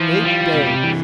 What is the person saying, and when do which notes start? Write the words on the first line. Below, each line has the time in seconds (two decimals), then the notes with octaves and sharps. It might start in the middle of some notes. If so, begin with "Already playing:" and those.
Eight days!
Already playing: E3 F3
0.24 G3 F4
0.54 C3
0.84 E3